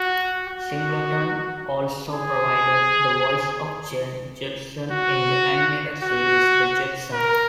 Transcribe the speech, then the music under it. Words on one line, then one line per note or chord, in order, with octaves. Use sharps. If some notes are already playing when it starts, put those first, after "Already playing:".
Singleton also provided the voice of Jane Jetson in the animated series "The Jetsons".
Already playing: F#4
F#4
G#4
F#4
F#4
A#4